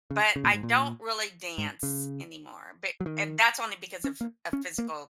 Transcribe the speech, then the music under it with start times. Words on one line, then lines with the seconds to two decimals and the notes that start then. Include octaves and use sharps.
but I don't really dance anymore, but it that's only because of of physical
0.11 C#3
0.36 C#3
0.44 A#2
0.53 G#2
0.63 A#2
1.58 G#2
1.83 C#3
3.00 F#3
3.06 D#3
4.04 C#4
4.21 A#3
4.53 C#4
4.78 A#3